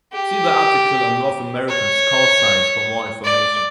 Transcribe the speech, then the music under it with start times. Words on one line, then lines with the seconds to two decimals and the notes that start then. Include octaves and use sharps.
See the article on North American call signs for more information.
0.13 G4
1.68 C#5
3.24 D5